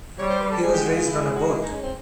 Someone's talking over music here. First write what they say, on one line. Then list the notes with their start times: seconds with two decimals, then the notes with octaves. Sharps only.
He was raised on a boat.
0.19 G3 C#5
0.29 C5
0.40 B4
0.51 A4
0.62 G#3 G#4
0.73 G4
0.84 F#4
0.95 F4
1.06 G#3 E4
1.20 E4
1.35 F#4
1.50 E4
1.61 D#4
1.72 C#4
1.83 C4